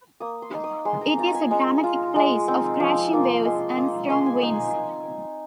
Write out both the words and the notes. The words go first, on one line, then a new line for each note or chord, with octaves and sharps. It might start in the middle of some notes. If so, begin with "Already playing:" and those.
It is a dramatic place of crashing waves and strong winds.
A#3 D#6
C6
D#4
D#6
G#3 C6
A#5
C4 F4 A#5
G#5
G#3 A#5
F4
G#3
C4 D#4
F3
A#3 F4
G#3 C6
F4 D#6
G#3 C6
G#5
D#4 G#5